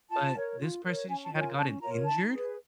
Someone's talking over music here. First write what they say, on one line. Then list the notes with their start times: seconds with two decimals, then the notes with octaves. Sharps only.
but this person, she had gotten injured
0.10 F4 A5
0.34 A#4 C#5
0.59 F4
0.83 A#4 C#5
1.07 C#4 G#5
1.24 A5
1.32 F4 A#4 C#5
1.40 G#5
1.56 C#4 A5
1.81 F4 A#4 C#5 A#5
2.05 D#4 A5
2.30 G#4 B4